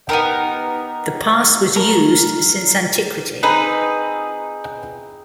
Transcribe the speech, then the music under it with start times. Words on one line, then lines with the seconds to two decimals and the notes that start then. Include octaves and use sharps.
The pass was used since antiquity.
0.09 B3 D#4 G4 A#4
1.76 A#4
3.43 C4 D#4 G#4 B4